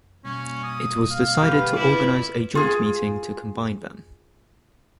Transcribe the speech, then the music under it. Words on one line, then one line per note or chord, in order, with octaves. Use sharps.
It was decided to organize a joint meeting to combine them.
B2 G3 A#3 C#4
D#6
F5
D3 G4 B4
E4 F4 B4 D5 F6
F4 G#4